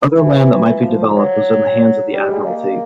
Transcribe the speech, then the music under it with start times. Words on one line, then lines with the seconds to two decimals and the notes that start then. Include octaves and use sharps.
Other land that might be developed was in the hands of the Admiralty.
0.14 E3
0.80 F3
1.13 F#3
2.13 G3
2.30 G#3
2.45 A#3